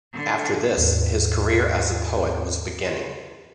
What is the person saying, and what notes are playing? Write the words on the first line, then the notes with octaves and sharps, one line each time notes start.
After this, his career as a poet was beginning.
D3
D#2 G#2